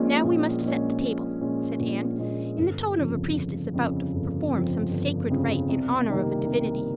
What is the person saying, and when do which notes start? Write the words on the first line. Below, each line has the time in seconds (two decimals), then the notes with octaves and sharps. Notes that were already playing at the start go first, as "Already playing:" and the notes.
"Now, we must set the table," said Anne, in the tone of a priestess about to perform some sacred rite in honor of a divinity.
Already playing: A#1 A#2 G#3 C#4
0.24 A#1
0.63 A#2 G#3 C#4
1.02 A#1
1.41 A#2 G#3 C#4
1.80 A#1
2.19 A#2 G#3 C#4
2.57 G1
2.96 F2 C#3 F3
3.35 G1
3.74 F2 C#3 F3
4.13 G1
4.52 F2 C#3 F3
4.91 G1
5.30 F2 C#3 F3
5.69 C2
6.08 C3 D#3 G3 A#3
6.46 C2